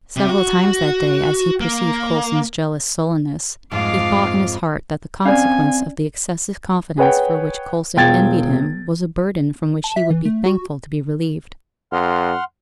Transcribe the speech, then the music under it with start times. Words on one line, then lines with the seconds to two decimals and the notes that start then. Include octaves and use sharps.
Several times that day, as he perceived Coulson's jealous sullenness, he thought in his heart that the consequence of the excessive confidence for which Coulson envied him was a burden from which he would be thankful to be relieved.
0.16 C3
0.29 F#4
1.61 A#3
3.71 F2 G#2 G#3 F4 F5 D6
5.25 C4 C#4 D5 F5 G#5
6.98 G#4 B4 C#5 F#5 G5
7.96 E1 F4 G5 G#6 A6
9.84 A5
9.96 E5
10.11 E3
10.25 A3
10.46 F#4
11.92 F2 F#5 C6 F6